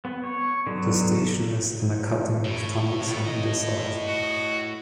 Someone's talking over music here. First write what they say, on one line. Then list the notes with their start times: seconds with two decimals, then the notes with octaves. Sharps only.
The station is in a cutting with tunnels on either side.
0.05 B3
0.24 C#5
0.67 D3 F#3 B3
1.16 A4
2.44 A2
3.02 C3 F4
3.27 D#5
4.07 F#4